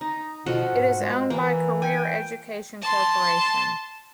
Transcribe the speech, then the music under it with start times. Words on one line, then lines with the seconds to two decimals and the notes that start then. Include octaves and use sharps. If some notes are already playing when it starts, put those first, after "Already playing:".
It is owned by Career Education Corporation.
0.01 D#4 A#5
0.46 B2 F3 F#4 A4 F#5
0.72 G#2
0.99 G#3
1.30 E3 A#3 B4
1.82 G5 G#5
2.82 A5 C6